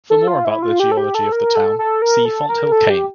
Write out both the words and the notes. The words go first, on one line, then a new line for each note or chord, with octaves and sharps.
For more about the geology of the town, see Fonthill Kame.
A4
F4
E4
F4
G4
A4
G4
A4
A#4
A4
A4
A#4
A4
A#4
A4
G4